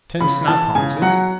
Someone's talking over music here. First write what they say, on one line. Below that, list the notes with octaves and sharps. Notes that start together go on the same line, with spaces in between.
Ten snaphaunces.
C#3 B5
E3 A5
C#3 G#5
F#3 F#5